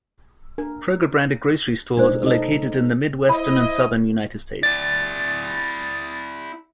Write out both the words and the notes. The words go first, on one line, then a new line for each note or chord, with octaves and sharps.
Kroger-branded grocery stores are located in the Midwestern and Southern United States.
D4 A#4
B2 G#3 D4 D#4 C5 D5
D#4 A4 D#5
E4 C5 D#5 B5
E4 D5 A6